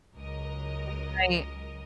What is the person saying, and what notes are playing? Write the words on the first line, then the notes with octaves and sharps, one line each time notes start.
R right.
C#2 F#3 A#4 D#5